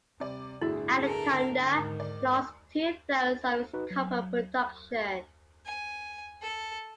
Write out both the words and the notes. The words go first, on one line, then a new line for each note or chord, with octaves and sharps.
Anaconda lost two-thirds of its copper production.
C3 G3 D5
G1 A2 E4 F#4 G#4 E5
A4 A#4
D3
G#2 D#3
D5
D#4 F#4 B4
F#3
G#5
A4